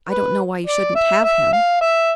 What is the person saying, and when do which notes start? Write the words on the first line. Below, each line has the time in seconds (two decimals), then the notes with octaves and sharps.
I don't know why you shouldn't have him.
0.09 B4
0.66 D5
0.95 E5
1.24 E5
1.52 F5
1.81 E5